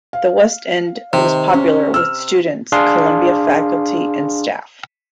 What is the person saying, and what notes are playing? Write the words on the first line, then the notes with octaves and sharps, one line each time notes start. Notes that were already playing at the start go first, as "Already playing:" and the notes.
The West End was popular with students, Columbia faculty and staff.
F5
C3 D#3
C#4
E6 F6
D4 G#4 F5 C6